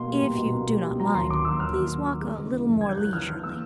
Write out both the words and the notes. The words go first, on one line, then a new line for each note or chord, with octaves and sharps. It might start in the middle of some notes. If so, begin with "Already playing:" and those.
"If you do not mind, please walk a little more leisurely."
Already playing: B2 A#3 C6
G3
B2
B2
A#3
G3
A#3
F#3 A#5
D#2 C6
D#2 D6
F#3 E6
D#2 F6
F#3
F#3
F#3
G#3
C#3
E3
F#2
G#3 G#6
G6
E3 F#6
E3 F6
E3 F6
A#3 E6